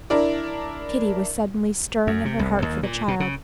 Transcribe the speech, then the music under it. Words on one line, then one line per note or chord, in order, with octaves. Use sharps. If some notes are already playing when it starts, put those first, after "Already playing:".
Pity was suddenly stirring in her heart for the child.
D4 E4 A#4 D5
F#2
C3
C2
D#2
A#2
B2
C#3